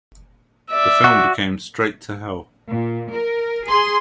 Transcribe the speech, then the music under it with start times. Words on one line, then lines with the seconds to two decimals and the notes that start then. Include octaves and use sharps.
The film became "Straight to Hell".
0.70 D5 E5
1.04 F#4
2.68 A#2
3.12 A#4
3.67 G#4 C6